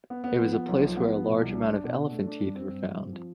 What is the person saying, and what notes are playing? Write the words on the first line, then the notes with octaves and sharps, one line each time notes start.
It was a place where a large amount of elephant teeth were found.
B3
B3
F3
B3
B1
F3
B3
F3
B2
C2
D4
D4
B2
D4
A3
D4
G2
C4
G2
C4
C4
F3